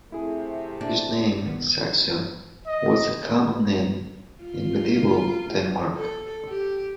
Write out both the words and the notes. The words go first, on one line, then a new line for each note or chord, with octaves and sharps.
His name Saxo was a common name in medieval Denmark.
C3 A3 E4 G#4
D4
B1 D#3 B3
D#5
F4
A4
G4